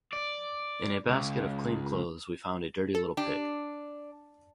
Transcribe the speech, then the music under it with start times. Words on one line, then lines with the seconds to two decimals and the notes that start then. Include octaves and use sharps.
In a basket of clean clothes we found a dirty little pig.
0.13 D5
1.08 C#2
2.95 A4
3.17 D4 G4